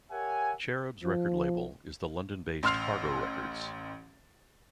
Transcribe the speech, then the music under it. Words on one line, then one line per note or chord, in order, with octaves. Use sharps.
Cherubs' record label is the London-based Cargo Records.
G4 A#4 C#5 E5 F#5 G#5
F3
A1 C6 E6 F6 C7 F7